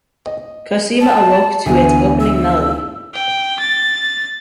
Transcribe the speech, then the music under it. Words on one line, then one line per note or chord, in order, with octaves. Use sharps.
Cosima awoke to its opening melody.
D#5
A5
D2 E3 B3 G#5
E6
G5
A6